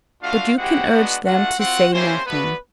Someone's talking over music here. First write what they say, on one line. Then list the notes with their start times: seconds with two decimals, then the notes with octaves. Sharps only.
'But you can urge them to say nothing.
0.22 A3 D4 F4 F#4 F5
0.57 G#3 C4 E4 F#4 G4 F#5
0.91 G#3 B3 D4
1.24 A3 D4 F4 F#4 F#5
1.59 C4 F4 F#4 F#5
1.92 A#3 C4 C#4 E4 G4 C5
2.26 A3 B3 D4 F#4 B4